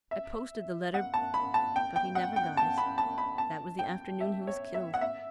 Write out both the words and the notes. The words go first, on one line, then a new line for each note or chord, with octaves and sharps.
I posted the letter, but he never got it. That was the afternoon he was killed.
E5
F#5
A5
B5
A5
G5
G5
F#5
G5
A5
B5
A5
B5
A5
G5
E5
C#5
E5
F#5
E5